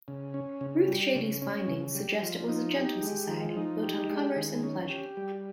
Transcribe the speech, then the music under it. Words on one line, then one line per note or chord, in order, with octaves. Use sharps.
Ruth Shady's findings suggest it was a gentle society, built on commerce and pleasure.
C#3
C#4
C#3
G3
C#3
C#4
C#3
G3
F3
D#4
G4
G#3
F3
D#4
G4
G#3
D#3
C#4
G4
G3